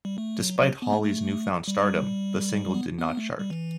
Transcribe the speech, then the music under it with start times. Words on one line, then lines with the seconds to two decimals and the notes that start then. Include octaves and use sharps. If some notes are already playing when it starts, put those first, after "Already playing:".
Despite Holly's newfound stardom, the single did not chart.
0.05 G3
0.18 A3
0.39 F#3
0.61 F#3
0.82 B3
0.92 A3
1.04 A3
1.68 G3
2.74 B3
2.99 B3
3.17 A3
3.39 G3
3.50 E3